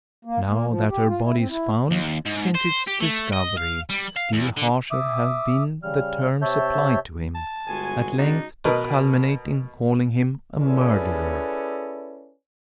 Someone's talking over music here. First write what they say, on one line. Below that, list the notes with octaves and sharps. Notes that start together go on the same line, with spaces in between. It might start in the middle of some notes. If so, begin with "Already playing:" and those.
Now that her body is found, since its discovery, still harsher have been the terms applied to him; at length, to culminate, in calling him a murderer!
A#3
A#3
F3
G4
F4
E4
C4
E4
D#2
G#2
C5
G4
A3
D#5
F5
G3
F5
E2
D3
E5 D6 D#6
C#3 G3 F6
C3 C#5 E5 A5 G6
A5
G1 G#3 F#4 G#5
C#3 B3 D4 D#4
B2 A#4 B4 D#5
C#4 E4 G#4 A4 B4 D5